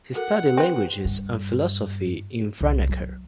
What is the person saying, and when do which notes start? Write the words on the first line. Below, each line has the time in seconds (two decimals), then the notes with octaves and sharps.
He studied languages and philosophy in Franeker.
0.15 F#4 A4 A#4 F#5
0.57 C4 B4
1.05 G2
2.61 C2
2.89 F#3